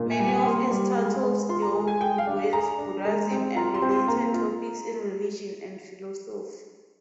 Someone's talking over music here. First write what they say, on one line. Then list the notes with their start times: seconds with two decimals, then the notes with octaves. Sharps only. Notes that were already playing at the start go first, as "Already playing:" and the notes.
Many of its titles deal with Buddhism and related topics in religion and philosophy.
Already playing: A#2
0.11 G#5
0.19 G3
0.28 G#5
0.45 A#3 C6
0.71 G3
0.97 G#3
1.23 G#3
1.49 F4 C6
1.62 A#5
1.75 G#3
1.88 G#5
2.01 G#4 G5
2.18 F5
2.27 D4
2.53 G#4 A#5
2.78 D4
3.05 G#3
3.31 C4
3.56 F4 A#5
3.74 C6
3.82 C4
3.91 C6
4.08 A#3 A#5
4.34 F4